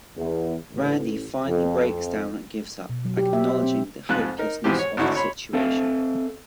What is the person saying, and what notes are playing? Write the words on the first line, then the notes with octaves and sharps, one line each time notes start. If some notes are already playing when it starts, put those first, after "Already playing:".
Randy finally breaks down and gives up, acknowledging the hopelessness of the situation.
E2
A1
F2
B2
F#3
G4
E5
C5
C4
F2 G#2 F4 F#6
D#4 A#4
G#2 B2 E3 F3 G4
C#5
G#1 A2 D3 D#4 E4 F#4
C#5 B5 C6
C4 A4 E5 F5